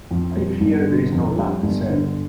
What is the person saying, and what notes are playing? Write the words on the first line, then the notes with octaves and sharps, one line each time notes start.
I fear there is no lamp, sir.
F2
G3
G1
D3
F2
G3
G1
D3